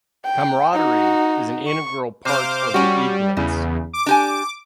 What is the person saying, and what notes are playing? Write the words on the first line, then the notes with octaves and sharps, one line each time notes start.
Camaraderie is an integral part of the eaglets.
G5
D#4 F#4
C#6
C3 C5 F5 D6
G3 C#4 F#4
E2 C#3
D6
D4 G4 G#5